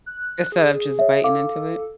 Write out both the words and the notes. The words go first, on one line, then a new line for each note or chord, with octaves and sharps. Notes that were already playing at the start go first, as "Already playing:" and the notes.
Instead of just biting into it.
F#6
G#4
C#5 E5
A4 F5 D6